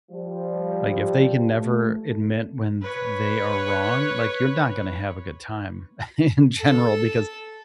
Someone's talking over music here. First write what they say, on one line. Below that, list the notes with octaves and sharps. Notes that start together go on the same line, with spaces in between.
like, if they can never admit when th they are wrong, like, you're not gonna have a good time in general because
F3 G3
A3
B4 C#5
A4